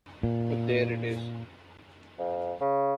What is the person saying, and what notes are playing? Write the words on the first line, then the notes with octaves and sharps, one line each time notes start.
But there it is.
A#2
F2
C#3